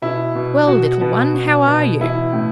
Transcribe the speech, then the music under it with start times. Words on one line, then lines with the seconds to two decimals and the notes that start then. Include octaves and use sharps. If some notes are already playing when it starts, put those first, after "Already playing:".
'Well, little one, how are you?
0.02 B2 E4
0.35 B2
0.67 B2 F#4
1.01 B2
1.34 B2
1.67 B2
2.00 E3 E4
2.33 A2